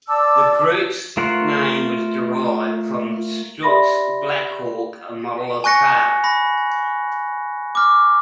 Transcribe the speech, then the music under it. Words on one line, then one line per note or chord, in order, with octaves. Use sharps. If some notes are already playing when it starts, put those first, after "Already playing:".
The group's name was derived from the Stutz Blackhawk, a model of car.
D5 A5 D6 E6
A3 F4 A#4 C5 F#5
G4 D5 E5 B5 C6 A#6
G#5 C#6 F#6 A#6 C#7
B5 A#6
D6 F6